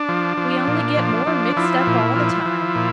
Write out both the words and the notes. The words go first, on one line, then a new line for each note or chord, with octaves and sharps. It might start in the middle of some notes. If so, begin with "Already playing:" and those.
We only get more mixed up all the time.
Already playing: D4
F3
F3
A#2
F3
F3
F3 E4
A#2
F3
F3
A#2